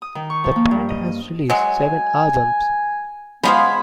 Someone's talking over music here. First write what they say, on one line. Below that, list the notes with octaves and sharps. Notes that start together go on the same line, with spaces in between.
The band has released seven albums.
D#6
D#3
C#6
F3
A#3
G2
D#5
F#3 G#3 G#5
G#3 B3 C#4 F4 G#4 C5 F5 B5